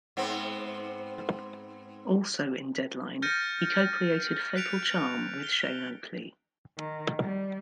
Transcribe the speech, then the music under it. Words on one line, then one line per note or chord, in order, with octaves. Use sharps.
Also in "Deadline", he co-created "Fatal Charm" with Shane Oakley.
G#2 B3 C4
F6 G6 A6 A#6 C#7 D#7
F#6 B6 C#7 D7 F7
G7
D#3
G3